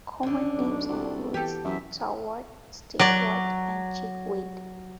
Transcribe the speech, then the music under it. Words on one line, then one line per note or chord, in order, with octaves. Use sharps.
Common names include starwort, stitchwort and chickweed.
D#2 D3 D4
B1
C2 F#4 A4
B3
E3 G4 A4
F#2 E3 E5
F#3 D5